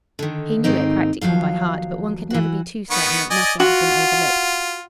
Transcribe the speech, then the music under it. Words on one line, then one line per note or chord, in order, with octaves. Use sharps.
He knew it practically by heart, but one could never be too certain that nothing had been overlooked.
D3 D#3
G#2 D#3 A#3 C4 D#4
D#2 C3 F3 F#3 F5
E3 F#4
D#3 B3 C#6
D5 D#5 G#5
F4 F#4